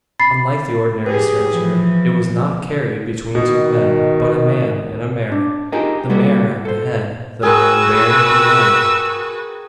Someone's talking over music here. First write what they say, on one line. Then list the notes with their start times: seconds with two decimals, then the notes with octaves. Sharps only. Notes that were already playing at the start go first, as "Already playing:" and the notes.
Unlike the ordinary stretcher, it was not carried between two men; but a man and a mare--the mare at the head, the man bearing behind.
0.19 B5 A6 C7
1.06 G4 G#4 B4
1.50 E3 F3
3.35 B2 D#3
5.32 D4
5.72 D#4 F4 G4 G#4 A#4 D#5
6.10 G3 A#3 B3 F#4 A4 B4
6.65 A4 C5
7.43 F#4 G#4 A#4 B4 G5 E6